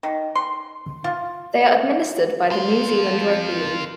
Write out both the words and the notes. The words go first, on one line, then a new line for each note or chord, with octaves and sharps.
They are administered by the New Zealand Rugby League.
D#3
C6
F4
F2 F4